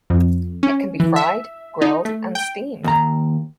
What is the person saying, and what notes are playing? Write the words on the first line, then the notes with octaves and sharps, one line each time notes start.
It can be fried, grilled, and steamed.
F2
C#4
E3
E5
D#4
A3
G5
D#2 A#5